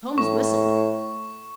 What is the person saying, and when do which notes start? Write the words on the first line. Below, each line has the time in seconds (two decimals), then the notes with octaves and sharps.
Holmes whistled.
0.18 A2 C#6